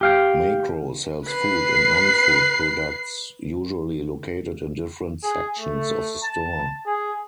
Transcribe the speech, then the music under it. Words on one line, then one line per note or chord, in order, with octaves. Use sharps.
Makro sells food and non-food products, usually located in different sections of the store.
G4 F5 G5
B4 C7
G#4
A3
A5
G#4